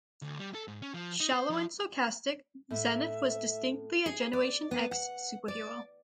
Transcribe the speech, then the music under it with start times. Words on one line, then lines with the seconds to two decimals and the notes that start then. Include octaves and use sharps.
Shallow and sarcastic, Zenith was a distinctly Generation X superhero.
0.22 D2
0.39 G3
0.54 A4
0.68 G#2
0.82 C#4
0.94 F3
1.20 D#4
1.33 C5
1.50 F3
2.71 A2 E5
4.06 G#4
4.33 D5
4.71 B3
4.91 F#5
5.48 D5